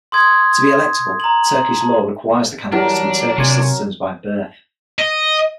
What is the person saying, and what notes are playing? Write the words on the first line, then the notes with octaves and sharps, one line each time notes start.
To be electable, Turkish law requires the candidates to be Turkish citizens by birth.
C6 D#6 G#6
A#5 F#7
A5
E3 F#3 G3 D4 A#4 A5
C3 G#5 C6 C#6
D#5